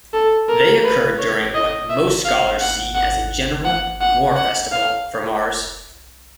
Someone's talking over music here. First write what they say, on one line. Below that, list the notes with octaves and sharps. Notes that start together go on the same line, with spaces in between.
They occur during what most scholars see as a general "war festival" for Mars.
A4
A#4
B4
C#5
D#5
E5
F5
F#5
F#5
F#5
F#5
F#5
F5